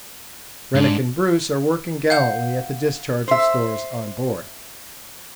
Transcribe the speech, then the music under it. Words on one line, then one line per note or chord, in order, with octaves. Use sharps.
Rennick and Bruce are working gallantly at the discharge of stores on board.
G#2 D4
F5 F#5 G6
C5 E5